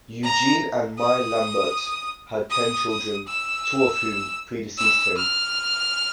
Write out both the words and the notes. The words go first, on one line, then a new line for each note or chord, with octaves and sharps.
Eugene and Mai Lambert had ten children two of whom predeceased him.
A#5
D#6
D#6
D#6
E6
E6
F6